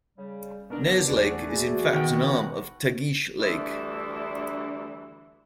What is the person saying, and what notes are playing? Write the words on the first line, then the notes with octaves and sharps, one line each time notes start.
Nares Lake is in fact an arm of Tagish Lake.
C#3 G3
B2 D4 A#4
E2 E3 A3 F#4 G#4 D5
B2 D#3 B3 F#5 G5 A#6
D2 E3 G3 D4 E5